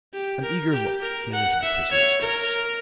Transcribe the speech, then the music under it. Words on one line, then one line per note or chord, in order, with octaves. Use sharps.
An eager look came into the prisoner's face.
G4
A#4
G4
A#4
F#5
E5
C#5
A#4